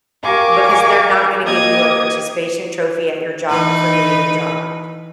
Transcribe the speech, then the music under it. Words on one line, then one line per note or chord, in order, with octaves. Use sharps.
because they're not gonna give you a participation trophy at your job for doing your job.
G4 A#4 F5 G#5 C#6 D6
A#3 G4 D#5 D#6 G#6
E3 D#4 B4